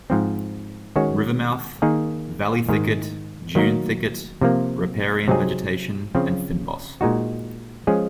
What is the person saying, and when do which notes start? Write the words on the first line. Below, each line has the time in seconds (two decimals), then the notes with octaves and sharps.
River mouth: Valley thicket, dune thicket, riparian vegetation and fynbos.
0.10 G#2 F3 C4
0.96 D#3 G#3 C#4 F#4 C#5
1.82 D#3 A#3 D#4 G#4
2.69 G#2 D#3 G#3
3.55 D#3 F#3 A#3 D#4 A#4
4.41 C3 F3 A#3
5.28 C3 F#3 C4 D#4 G#4
6.15 C#3 F3 C4
7.01 A#2 G#3 D#4 F#4
7.87 F3 G#3 C#4 G#4